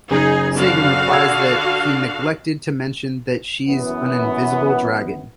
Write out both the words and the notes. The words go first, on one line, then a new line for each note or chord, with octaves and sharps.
Sagan replies that he "neglected to mention that she's an invisible dragon".
F#1 D#4 G#4
D3 F#4 F5
F#5 E6 G#6
F#2 E3 B3